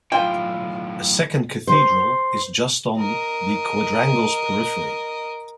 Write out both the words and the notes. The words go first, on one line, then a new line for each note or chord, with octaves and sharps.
A second cathedral is just on the Quadrangle's periphery.
B1 A2 F4 G5
C5
A#4 D#5